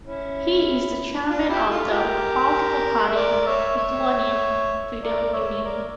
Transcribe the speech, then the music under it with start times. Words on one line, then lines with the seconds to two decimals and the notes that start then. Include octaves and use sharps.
He is the Chairman of the political party Lithuanian Freedom Union.
0.04 C#4 E4
1.28 D4 F4
1.49 E4 G4
1.70 F4 A4
1.91 G4 A#4
3.06 E5
3.16 A#4 D5
3.46 C#5 E5
3.77 C#5 E5
5.02 A#4 D5
5.33 C#5 E5
5.64 A#4 D5